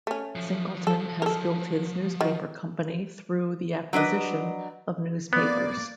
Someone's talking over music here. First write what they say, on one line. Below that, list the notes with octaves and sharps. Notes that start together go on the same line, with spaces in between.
Singleton has built his newspaper company through the acquisition of newspapers.
A3 C#4
F3 F#3
A4
A4 A#4
D#3 F#4
F#3 D4 B4 D#5
A#3 B3 D5